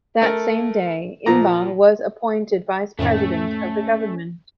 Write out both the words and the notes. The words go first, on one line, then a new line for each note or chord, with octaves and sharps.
That same day, M'ba was appointed vice president of the government.
A3 A4 A#4
A#2 F3 A#5
F2 A2 D#3 A3 C#4